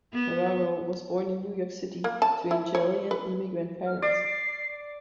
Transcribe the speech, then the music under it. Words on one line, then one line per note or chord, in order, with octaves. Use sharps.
Navarro was born in New York City to Italian immigrant parents.
B3
A#3
A5
E4
C#5
B4
F6
D5 C7